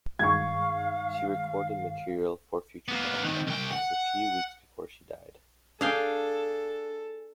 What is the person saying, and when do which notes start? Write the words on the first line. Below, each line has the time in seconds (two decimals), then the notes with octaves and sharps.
She recorded material for future broadcasts just a few weeks before she died.
0.19 G2 D#3 G#3 F5 C#6 G#6
2.88 A#3 B3
3.24 D#3 C4
3.47 C2 G5
3.72 F#5
5.81 D4 G#4 A4 F5 G5